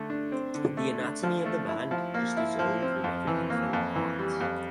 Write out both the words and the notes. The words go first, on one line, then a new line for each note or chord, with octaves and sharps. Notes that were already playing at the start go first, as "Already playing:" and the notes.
The anatomy of the band just dissolved and everything fell apart.
Already playing: D3 A3
D4
C4
D3
A3
D4
F3
A3
E4
F3
A#3
E4
F3
C4
F2
E3
A#3
F2
E3
G3
F2